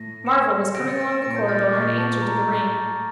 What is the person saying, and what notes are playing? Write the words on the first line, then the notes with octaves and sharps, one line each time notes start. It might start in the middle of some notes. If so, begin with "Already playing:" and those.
Marvel was coming along the corridor in answer to the ring.
Already playing: A2 A#6
C#7 E7
C#3 A#6 D7
A6 C#7
A#6 D7
C#7 E7
A#2 A#6 D7
G6 A#6
F6 A6
D6
A#2 C#6
A5
A2 A#5